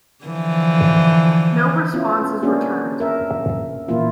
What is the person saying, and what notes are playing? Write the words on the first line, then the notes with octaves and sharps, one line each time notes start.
No response is returned.
D3 E3 F3
B3 C#4 E4 F4
A#3 C#4 D4 F#4 G#4
A#4 E5
A#2 E3 A#3 E4 F4